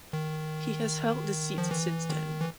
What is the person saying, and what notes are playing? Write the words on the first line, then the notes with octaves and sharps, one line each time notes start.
He has held the seat since then.
D#3
F3
E3
D#3
E3